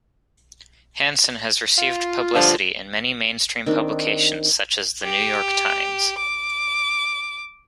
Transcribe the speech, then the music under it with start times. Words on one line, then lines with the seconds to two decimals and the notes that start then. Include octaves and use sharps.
Hanson has received publicity in many mainstream publications such as the "New York Times".
1.78 F4
2.33 G2 D3 F3
3.66 D#3 C4 D4
5.03 G4
6.18 D6